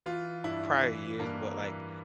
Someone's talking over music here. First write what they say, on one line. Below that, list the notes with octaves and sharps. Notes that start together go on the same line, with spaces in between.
prior years, but, like,
E3 F4
G2 E4
E3
G2 A#3
E3